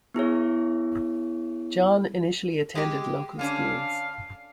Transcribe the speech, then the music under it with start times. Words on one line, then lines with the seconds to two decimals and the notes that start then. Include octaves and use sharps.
John initially attended local schools.
0.14 B3 E4 G#4 C#5
2.75 G#3 G4
3.39 D3 C#4 D4 F5